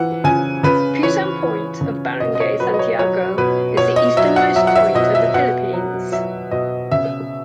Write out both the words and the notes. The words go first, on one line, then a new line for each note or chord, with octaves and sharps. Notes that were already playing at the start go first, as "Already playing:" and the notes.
Pusan point of Barangay Santiago is the easternmost point of the Philippines.
Already playing: E3 F#5
C#3 G#5
C#3 B4
E3 C#5
E3
C#3
B2 D#5
D#5
C#5
F#3 B4
D#5
C#5
F#3 C#5
B2 B4
B2 C#5
D#5
F#3 E5
F#5
F#3 E5
F#5
E5
B2 D#5
E5
B2 F#5
F#3
F#3 E5
B2 D#5
C#3 E5